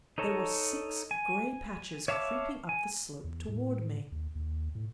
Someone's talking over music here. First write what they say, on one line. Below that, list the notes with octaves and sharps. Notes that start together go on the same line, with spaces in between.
There were six gray patches creeping up the slope toward me!
D#4 A4 C#5 A5 A#5
G#5
C#5 E5 F5 A5 D6
G#5
E2
A2
D#2
D#2
A2